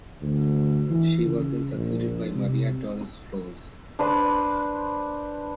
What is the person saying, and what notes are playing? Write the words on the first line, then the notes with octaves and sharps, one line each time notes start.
She was then succeeded by Maria Torres-Flores.
D2
E3
C#3
A#1
C3
D4 B4 C5